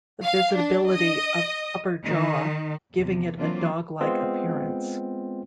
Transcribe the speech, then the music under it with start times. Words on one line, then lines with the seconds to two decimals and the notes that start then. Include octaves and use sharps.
The visibility of upper jaw, giving it a dog-like appearance.
0.24 F5
0.54 D4
0.92 D#5
2.05 D#3
2.95 E2 C3
3.37 E3 F#3 A#3 C4 D4 F4
4.00 G#3 B3 C4 F4